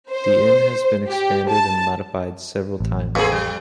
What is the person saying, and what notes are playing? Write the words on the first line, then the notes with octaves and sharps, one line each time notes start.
The Inn has been expanded and modified several times.
C5
G4
A5
A1
F2 A#3 C4 G#4
G3